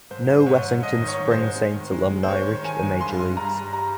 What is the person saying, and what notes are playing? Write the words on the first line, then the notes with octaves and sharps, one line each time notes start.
No Wessington Springs Saints alumni reached the major leagues.
G#2 C5
G#2
C5
G#2 C#5
G#2
G#2 D#5
D#3
C#5
G#2
C5
G#3
G#3
D#3
G#3
G#3
C5
G#3 C#5
D#3
D#3 G#5
G#3
G2 C6
G2
G2 A#5
G3
G3 A#5